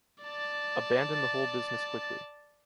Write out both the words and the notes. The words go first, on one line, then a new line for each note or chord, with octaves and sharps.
Abandon the whole business quickly.
D5 A5